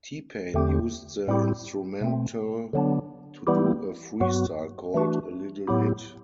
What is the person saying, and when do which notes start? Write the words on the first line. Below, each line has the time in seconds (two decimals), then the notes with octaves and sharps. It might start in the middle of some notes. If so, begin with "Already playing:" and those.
T-Pain used the instrumental to do a freestyle called A Little Hit.
0.54 E2 D3 A3 C4 G4
1.27 A2 G3 C4 E4 G4
2.01 B2 A3 C4
2.73 D3 F#3 B3 D4
3.47 E3 G3 B3 E4 G4
4.20 G2 F#3 B3 F#4
4.94 E3 A3 D4 F#4
5.67 A2 F#3 B3 E4 G4